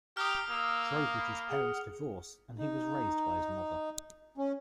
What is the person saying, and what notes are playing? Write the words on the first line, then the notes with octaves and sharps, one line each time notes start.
Trowbridge's parents divorced, and he was raised by his mother.
G4 A#5 D#6 F6
A#3 E6
B5
G#4 F#5
D#4
C#4